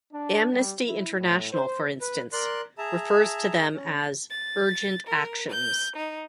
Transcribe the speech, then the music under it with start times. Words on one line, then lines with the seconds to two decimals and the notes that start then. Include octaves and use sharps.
Amnesty International, for instance, refers to them as "Urgent actions".
0.13 D4
0.53 G3
0.87 E4
1.19 A2
1.52 C5
2.01 B4
2.33 A#4 D5 C6 F#6
2.78 G#4 E5 A5 A#5
3.74 C#4
4.30 A6
5.07 A#4
5.50 G6
5.97 D#4